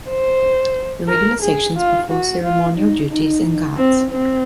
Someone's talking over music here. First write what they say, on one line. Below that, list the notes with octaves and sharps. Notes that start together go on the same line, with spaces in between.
The regular sections perform ceremonial duties and guards.
C5
A#4
G#4
F4
F#4
F4
D#4
D#4
C4
C4